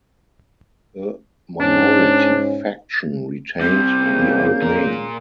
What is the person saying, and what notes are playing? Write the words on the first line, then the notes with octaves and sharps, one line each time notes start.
A minority faction retained the old name.
G#2 C#4 D4
C3 G3 C4 G6
A#3 C#4 G#4
A#2 A#4